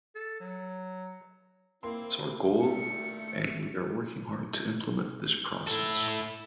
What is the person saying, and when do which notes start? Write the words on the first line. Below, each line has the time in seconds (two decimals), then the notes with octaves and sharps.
It's our goal and we are working hard to implement this process.
0.15 A4
0.40 F#3
1.83 A#3 C4 E4 C6
2.62 G2 A#2 D#3 A3 C#7
5.67 E4 A4